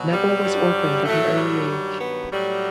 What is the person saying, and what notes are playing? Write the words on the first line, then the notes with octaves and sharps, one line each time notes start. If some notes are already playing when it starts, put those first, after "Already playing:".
Neville was orphaned at an early age.
Already playing: B2 F#3
G3
G2 F#3
A2 F#3 A3
G3
G2 D#3 F#3
B3
A2 F#3 G3